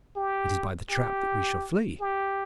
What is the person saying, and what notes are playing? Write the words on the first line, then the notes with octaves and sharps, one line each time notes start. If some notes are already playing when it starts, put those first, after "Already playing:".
It is by the trap that we shall flee.
G4
G4
G4